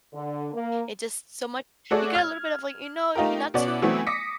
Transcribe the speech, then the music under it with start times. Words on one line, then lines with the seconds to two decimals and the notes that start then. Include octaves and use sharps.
It just so much you get a little bit of, like you know, you're not too
0.13 D3
0.53 A#3
1.91 A3 F#4 G#4 A4 C#5 D5
2.15 F6 G#6
3.15 A3 D#4 F4 G4 A#4
3.54 B2 B3 C#4 D5 F#5
3.82 E3 F#3 A3 B3 C4 E4
4.07 D6 D#6 A#6 B6 C#7